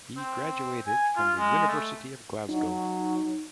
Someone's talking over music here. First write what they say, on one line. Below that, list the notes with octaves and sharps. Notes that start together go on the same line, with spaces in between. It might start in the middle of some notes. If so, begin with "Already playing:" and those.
He graduated from the University of Glasgow.
C4
G#5
F4
G#3
A3
F#3 D#4